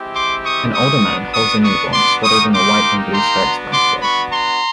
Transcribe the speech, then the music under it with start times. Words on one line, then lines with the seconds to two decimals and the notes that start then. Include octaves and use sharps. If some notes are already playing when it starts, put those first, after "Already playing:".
An older man holds a newborn swaddled in a white and blue striped blanket.
Already playing: G#3 C4 E4 G4
0.14 C6 D6
0.44 C#6 D#6
0.74 C#6 D#6
1.04 B3 D4 F#4
1.34 C#6 D#6
1.64 C#6 D#6
1.93 C6 D6
2.23 A#3 D#4 G4 C#6 D#6
2.53 C6 D6
3.12 A#5 C6
3.42 B3 D4 F#4
3.72 C6 D6
4.01 B5 C#6
4.32 A#5 C6